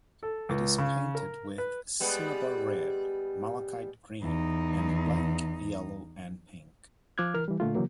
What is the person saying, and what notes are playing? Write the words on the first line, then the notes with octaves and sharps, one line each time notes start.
It is painted with cinnabar red, malachite green, and black, yellow, and pink.
A4
C#2
C#3
A#4
B4
G3 G#3 B3
E2 D#4
F3 F4 D6 F6 F#6 G#6
E3 A#4 F6
E3 G3
A#2 D3 A3 F4
C#3 E3 F#3 A#3